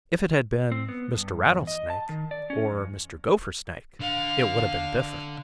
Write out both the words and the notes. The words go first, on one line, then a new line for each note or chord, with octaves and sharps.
If it had been Mr. Rattlesnake or Mr. Gophersnake, it would have been different.
C4
B3
G2
E2
D#5
A5
D#3
D5
C#4
F2
D3 F5